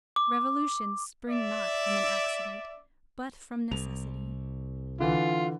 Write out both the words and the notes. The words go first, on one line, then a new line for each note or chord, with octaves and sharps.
Revolutions spring not from an accident, but from necessity.
D6
D5 E5
C2 F7
D3 E3 F4